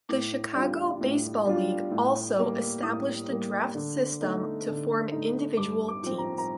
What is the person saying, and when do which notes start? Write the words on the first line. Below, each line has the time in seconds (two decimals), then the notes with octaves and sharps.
The Chicago Baseball League also established the draft system to form individual teams.
0.09 A2 D6
0.54 G3 D4 F4
1.01 A2
1.45 G3 D4 F4
1.91 A2
2.37 G3 A#3
2.83 A2 D#6
3.30 G3 A#3
3.75 D3
4.21 A3 D#4
4.67 D3
5.11 A3 D#4
5.57 G2 D6
5.88 D6
6.03 F3 C4
6.18 A#5
6.38 A#5